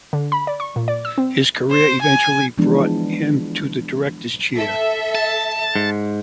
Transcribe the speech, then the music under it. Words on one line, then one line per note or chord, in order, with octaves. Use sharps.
His career eventually brought him to director's chair.
D3
B5
D5
C#6
A#2
D5
E6
C4
C5
G#5
E3 F3 G#3 B3 D4
A4 E5
A5
G#2